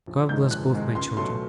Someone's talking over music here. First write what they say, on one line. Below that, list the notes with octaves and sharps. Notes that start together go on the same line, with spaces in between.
God bless both my children!
A#1
G#2 D#3 G#3 G6
A#1 F#6
G#2 D#3 G#3
C#2 C6
B2 F#3 A3 C6